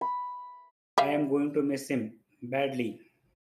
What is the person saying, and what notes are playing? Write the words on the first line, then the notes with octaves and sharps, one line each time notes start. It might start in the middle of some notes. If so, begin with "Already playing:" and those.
I'm going to miss him...badly.
B5
G3 E5 F5